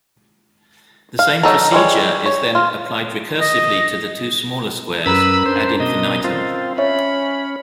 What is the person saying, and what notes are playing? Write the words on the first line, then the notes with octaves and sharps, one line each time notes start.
The same procedure is then applied recursively to the two smaller squares, "ad infinitum".
F5
F#3 D#4 A4 A#5
G3 G#3 C#5
C#5
F4
D#5
F#2 C#4 A#4 B4 A#5 B5 E6
D4 C5
B2 D#5
C4 F4
C#4 C#5 E5 B5